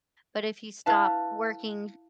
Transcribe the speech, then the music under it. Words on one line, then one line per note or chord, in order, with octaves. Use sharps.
But if you stop working,
E4 B4 F5 A5